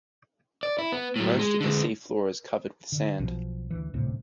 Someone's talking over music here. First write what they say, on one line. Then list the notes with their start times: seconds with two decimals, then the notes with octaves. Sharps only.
Most of the seafloor is covered with sand.
0.63 D5
0.79 E4
0.92 B3
1.16 A2 F#3
1.39 G#3
1.60 D3 G#3
2.92 D3
3.19 B1 B2 F3
3.71 D2 E3
3.94 D#1 D2 A2 C3